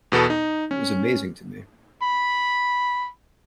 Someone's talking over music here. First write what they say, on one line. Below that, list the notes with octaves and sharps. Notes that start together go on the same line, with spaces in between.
That was amazing to me.
E2 B2 B3 A4
D#4
C#4
B5